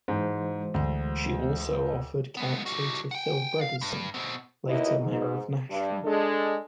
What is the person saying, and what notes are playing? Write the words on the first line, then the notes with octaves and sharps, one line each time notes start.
She also offered counsel to Phil Bredesen, later mayor of Nashville.
G#2 E3 G#3 C5
D2
G#3 B3
G3 F#4
F#5 G5
F5
G2
B2 C4
D#2 B2 E4 D#5
G#2
G2
G#3 D4 A4